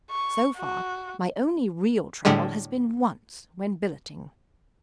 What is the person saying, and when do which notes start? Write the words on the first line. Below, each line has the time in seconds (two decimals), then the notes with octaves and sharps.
So far my only real trouble has been once when billeting.
0.11 C#6
0.58 F#4
2.25 A2 D3 G3 G#3